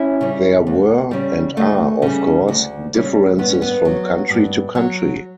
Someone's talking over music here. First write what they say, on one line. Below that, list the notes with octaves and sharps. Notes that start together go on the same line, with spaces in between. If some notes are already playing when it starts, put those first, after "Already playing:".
There were, and are, of course, differences from country to country.
Already playing: C#4 E4
C#3 G3
D2
C#3 G3
D2 A3
C#3 G3
D2
C#3 G3
G2 B3
C#4
B3
F#3
G2
F#3